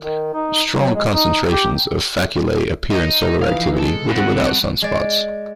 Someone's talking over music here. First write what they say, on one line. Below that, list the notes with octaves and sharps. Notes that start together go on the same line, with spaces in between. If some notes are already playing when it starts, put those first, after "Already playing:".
Strong concentrations of faculae appear in solar activity, with or without sunspots.
D#3
D#4
F#3
G#3
D#4
G4
D#4
E3 F3 D#4 F5
G#3 A4
G2 C4 F#5
G#3 D5